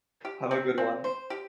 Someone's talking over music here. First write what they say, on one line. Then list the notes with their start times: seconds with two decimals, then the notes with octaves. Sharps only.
Have a good one.
0.25 G4
0.51 C4
0.78 C4
1.04 C5
1.30 G4